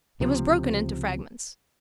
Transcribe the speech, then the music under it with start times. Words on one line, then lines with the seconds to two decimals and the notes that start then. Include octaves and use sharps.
It was broken into fragments.
0.20 C#2 C3 F3